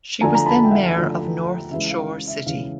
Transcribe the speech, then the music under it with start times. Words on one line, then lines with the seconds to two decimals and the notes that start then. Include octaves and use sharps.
She was then mayor of North Shore City.
0.21 D3 F3 A3 G#5 A#5
0.35 A#5
0.46 A5 B5
0.64 G5
0.71 E5 F#5
0.96 D3 F3 A3
1.71 C#3 E3 G#3 E5
1.90 F5
2.28 E5
2.46 C#3 E3 G#3 F5